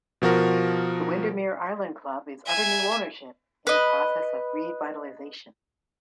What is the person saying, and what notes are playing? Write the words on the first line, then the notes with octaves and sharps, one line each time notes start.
The Windermere Island Club is under new ownership in the process of revitalisation.
B2 F3 F#4 A#4
E5 G#5
B4 D#5